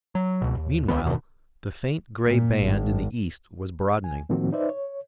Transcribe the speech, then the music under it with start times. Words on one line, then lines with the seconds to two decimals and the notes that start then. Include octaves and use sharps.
Meanwhile, the faint gray band in the east was broadening.
0.15 F#3
0.42 C#2 B2
0.57 D#2
0.88 C#2 D#3 B3
1.04 D#2 B2 D#3
2.26 A#2
2.63 G#1
4.04 G#5
4.29 A2 D#3 F3 A#3 C4 F#4
4.52 D#4 B4 C5 D5 E5
4.69 C#5